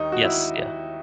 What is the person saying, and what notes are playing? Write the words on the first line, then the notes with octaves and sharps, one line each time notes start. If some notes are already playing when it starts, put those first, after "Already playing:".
Yes, yeah.
Already playing: D#2 D#3 D#4
F#4
E4